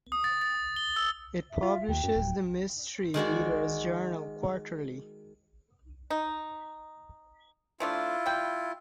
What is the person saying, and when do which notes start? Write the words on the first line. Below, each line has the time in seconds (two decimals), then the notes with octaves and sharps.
It publishes the "Mystery Readers Journal" quarterly.
0.12 D#6
0.24 A6
0.41 A6
0.76 G7
0.96 E6
1.49 E5
1.63 F4
1.88 D#2 G5
2.04 F#2
2.16 D1
3.14 D#3 G#3 F#4 D5
6.10 D#4
7.80 F3 A3 D4 E4 F4
8.26 G3 G5